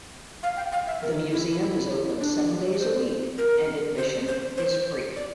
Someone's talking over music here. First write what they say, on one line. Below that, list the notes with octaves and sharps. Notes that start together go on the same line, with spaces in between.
The museum is open seven days a week and admission is free.
F5
G5
F5
E5
A#4
E4
E4
D4
D5
C5
A#4
C5
C5
C5
D5